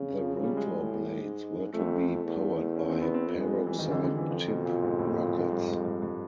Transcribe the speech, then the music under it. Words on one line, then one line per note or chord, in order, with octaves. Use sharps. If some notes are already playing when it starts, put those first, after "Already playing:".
The rotor blades were to be powered by peroxide tip rockets.
Already playing: C#3
F3
F#3
G3
G#3
A2
G#2
F2 A3
E2
C#4
C4
B3
C4
F2 B3
G#3
G3
E3
F2 D#3
C#3
D3
D3
E3
F2 F3
B2
A#2
G#2
A2
A#2
G#2
G2
G#2
G2
G2